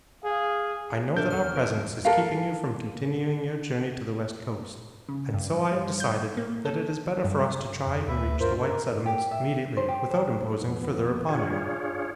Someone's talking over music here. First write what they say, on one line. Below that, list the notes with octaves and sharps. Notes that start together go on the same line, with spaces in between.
I know that our presence is keeping you from continuing your journey to the west coast, and so I have decided that it is better for us to try and reach the white settlements immediately without imposing further upon you.
G#4 F5
D4 A4 A#4 E5 G6
E2 F6
A#4
A4 A#4 F5
C#3
G2
G3
G6
A#3
A4
G2
F2
D2 B4 E5
G2 F4 A#4 C5
A#4
G4
E5
C5
G4
C5
F2 B3
D4 F4 G#4 C#5